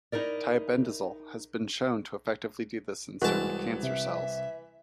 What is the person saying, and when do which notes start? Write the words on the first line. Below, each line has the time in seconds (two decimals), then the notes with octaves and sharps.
Tiabendazole has been shown to effectively do this in certain cancer cells.
0.12 D#4 E4 A#4 D5
3.22 C2 E3 G#3 F#4 A5
3.83 C3 E5